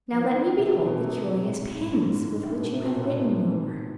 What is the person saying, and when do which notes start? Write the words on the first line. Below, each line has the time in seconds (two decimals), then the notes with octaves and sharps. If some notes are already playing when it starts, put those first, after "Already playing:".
"Now let me behold the curious pens with which you have written your work."
0.12 F3
0.21 E3
0.29 D#3
0.58 C3
0.86 B2
1.00 C3
1.15 B2
1.29 B2
1.44 A2
1.72 G#2
1.80 G2
1.87 G#2
1.96 G2
2.01 G#2
2.15 G#2
2.30 G#2
2.43 A2
2.58 B2
2.73 C3
2.80 B2
2.87 A#2
3.01 A2
3.16 G#2